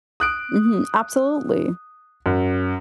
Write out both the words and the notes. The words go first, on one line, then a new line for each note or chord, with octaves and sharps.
Mhm. Absolutely.
D#6 F#6 D7
F#2